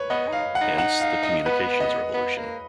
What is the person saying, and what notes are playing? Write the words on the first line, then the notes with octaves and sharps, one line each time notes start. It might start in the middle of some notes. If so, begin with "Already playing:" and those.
Hence: the "Communications Revolution".
Already playing: B4 C#5
B3 D#5
D#4 F5
F#5
D#4
F#5
F5
D#5
B3 B4
D#5
B3
A#3